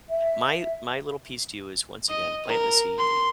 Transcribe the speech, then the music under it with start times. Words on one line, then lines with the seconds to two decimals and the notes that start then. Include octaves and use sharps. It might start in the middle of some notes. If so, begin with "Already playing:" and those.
my my little piece to you is once again, planting the seed,
0.10 E5
2.09 D#5
2.47 A#4
2.98 C6